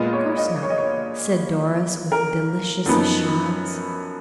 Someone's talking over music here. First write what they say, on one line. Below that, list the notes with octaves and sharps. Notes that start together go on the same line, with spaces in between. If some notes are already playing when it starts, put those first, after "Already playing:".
"Of course not," said Doris, with delicious assurance.
Already playing: A#2 G#3 B3 F4 D#5
C#5
D#5
C#5
D#5
C#5
A#4
F#2 F3 B3 D#4